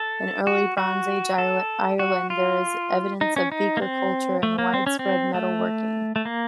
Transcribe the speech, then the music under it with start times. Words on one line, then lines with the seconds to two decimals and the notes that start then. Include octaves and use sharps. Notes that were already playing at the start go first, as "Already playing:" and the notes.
In early-Bronze Age Ireland there is evidence of Beaker culture and a widespread metalworking.
Already playing: A4
0.47 F#4
0.78 F#4
1.38 A4
1.99 F#4
2.30 F4
3.21 D#4
3.36 C#4
3.52 D#4
3.77 A#3
3.82 C4
4.43 A3
4.59 A#3
4.74 C4
4.87 C#4
4.99 C4
5.34 A3
6.16 A3
6.25 A#3